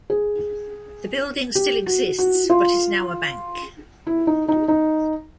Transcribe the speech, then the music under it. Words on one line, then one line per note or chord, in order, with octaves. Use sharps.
The building still exists but is now a bank.
G#4
G4
F#4
F#4
F4
E4
D#4
D#4
D#4